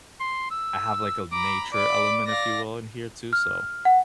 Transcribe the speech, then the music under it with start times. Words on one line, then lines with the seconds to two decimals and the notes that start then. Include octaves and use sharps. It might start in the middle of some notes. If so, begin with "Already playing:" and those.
I have, like, a nature element, if you will, in here too, so
0.20 C6
0.51 E6
1.32 A#5 B5 D6
1.73 D5 B5 D6
2.27 D5 F5 A#6
3.33 F6
3.85 F#5